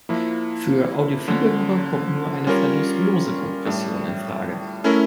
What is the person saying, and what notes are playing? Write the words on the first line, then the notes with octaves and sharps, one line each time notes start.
Für audiophile Hörer kommt nur eine verlustlose Kompression infrage.
F3 A#3 E4
D3 F3 C#4
G3 C#4 F4 A#4 C#5
A2 G3 D4
A3 C#4 E4 A#4